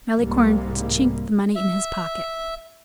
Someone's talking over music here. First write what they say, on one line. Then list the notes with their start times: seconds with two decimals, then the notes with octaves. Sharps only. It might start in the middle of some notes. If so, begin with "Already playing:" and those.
Malicorne chinked the money in his pocket.
0.18 C2 G#2 C3 G3 G#3 A#3
1.55 E5